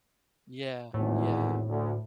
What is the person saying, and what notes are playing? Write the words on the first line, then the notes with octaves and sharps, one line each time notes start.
Yeah, yeah.
G#1 E2 A2
D2